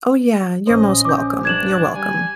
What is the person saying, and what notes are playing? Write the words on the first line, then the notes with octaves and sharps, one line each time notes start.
Oh, yeah, you're most welcome, you're welcome.
A#1 C#4 C5 D#5
D6 G6
G2 D4 G#6 E7 F#7
G3 G#5